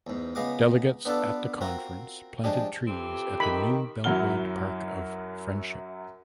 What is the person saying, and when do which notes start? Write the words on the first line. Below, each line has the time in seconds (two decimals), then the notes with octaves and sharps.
Delegates at the conference planted trees at the New Belgrade Park of Friendship.
0.07 E2 G#2
0.35 C#2 B3 G#4 D#5 F5 D6
1.05 B3 D4 F4 A4 B4
1.61 C4 F4 F#4 A#4
2.44 F3 G#3 D4 G4
2.88 F2 E3 C4 G4
3.40 D#3 B5
4.04 F#2 F#3 E4 F#5 F6 G7